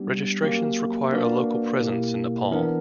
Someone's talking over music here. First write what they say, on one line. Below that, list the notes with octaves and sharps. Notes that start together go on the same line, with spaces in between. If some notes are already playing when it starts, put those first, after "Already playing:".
Registrations require a local presence in Nepal.
Already playing: G3 B3 D4 G4
F#3 A#3 C#4 G4
A#3 D4 F#4 B4 D5
B2 A#3 E4 G4
E3 B3 D4 A#4